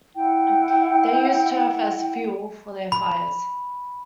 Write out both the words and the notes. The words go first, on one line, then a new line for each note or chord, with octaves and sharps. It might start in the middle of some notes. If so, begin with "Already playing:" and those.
They used turf as fuel for their fires.
E4 F#5 G5
B5